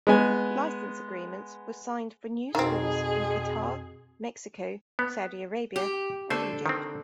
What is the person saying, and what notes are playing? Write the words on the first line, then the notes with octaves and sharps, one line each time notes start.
Licence agreements were signed for new schools in Qatar, Mexico, Saudi Arabia and Egypt.
G#3 B3 G#5
F2 B2 D#3 C4 G#4
B3
G4
D3 A3 A4 C5
D#3 C4